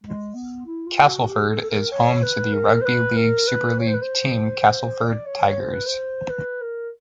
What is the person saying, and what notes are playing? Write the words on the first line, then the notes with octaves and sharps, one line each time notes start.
Castleford is home to the rugby league Super League team Castleford Tigers.
G#3
B3
E4
F4
F#4
G4
A4
A4
A#4
C#5
B4
A#4
C5
B4
A#4
B4
C#5
C5
B4
C5
D5
C#5
C#5
C5
B4
C5
B4
A#4